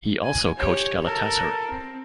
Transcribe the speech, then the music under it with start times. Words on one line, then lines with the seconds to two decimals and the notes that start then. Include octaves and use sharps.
He also coached Galatasaray.
0.23 G#5
0.58 G4 C#5
1.04 A4 A#4
1.70 C4